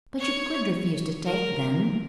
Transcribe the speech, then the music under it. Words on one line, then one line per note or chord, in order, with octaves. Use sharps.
"But you could refuse to take them."
C#5
A#4